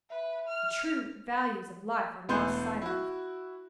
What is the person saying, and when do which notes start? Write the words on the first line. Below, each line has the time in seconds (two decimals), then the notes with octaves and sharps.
The true values of life are lost sight of.
0.10 B4 E5
0.47 F6
2.29 E1 A3 B3 E4 C6 G6
2.82 E4 F#4